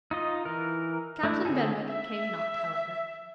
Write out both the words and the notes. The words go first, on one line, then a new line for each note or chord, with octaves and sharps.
Captain Benwick came not, however.
D#4 F4 D#5
E3 A#4
A3 D4 E4
D3 C4 C#4 G#4 A4
E5